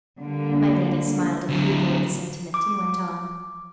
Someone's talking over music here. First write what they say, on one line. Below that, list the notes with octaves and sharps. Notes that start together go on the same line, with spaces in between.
My Lady smiled approval of the sentiment, and went on.
D3 G3 A#3
D3 F#3
D6